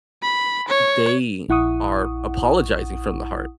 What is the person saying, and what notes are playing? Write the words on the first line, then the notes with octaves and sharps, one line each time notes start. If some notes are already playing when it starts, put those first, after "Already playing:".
they are apologizing from the heart,
B5
C#5
A#1 E4 F#5 C#6 D#6